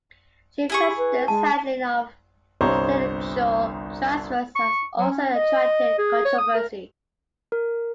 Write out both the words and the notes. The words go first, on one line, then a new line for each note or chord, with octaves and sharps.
Chief Justice's handling of judicial transfers has also attracted controversy.
E4 G4 G#4 C#6
B4
G#3 A5
G1 C2 C5 C#5 A#5
C#6
F#3
C#4
D#5
G#4
C#5
D#6
A#4
A#4